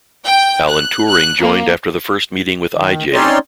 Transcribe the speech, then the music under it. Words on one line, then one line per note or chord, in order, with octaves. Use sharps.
Alan Turing joined after the first meeting with I. J.
G5
F#6
F#6
A#3
D#3
C4 C#4 D#4 C#5 D5 C6